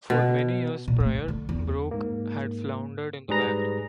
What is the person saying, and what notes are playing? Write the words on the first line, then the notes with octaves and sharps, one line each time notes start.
For many years prior, Brooke had floundered in the background.
B2
A#2
A3
D3
E2
G#2 A#3
G#2 G3 G#4 B4 A#5 A#6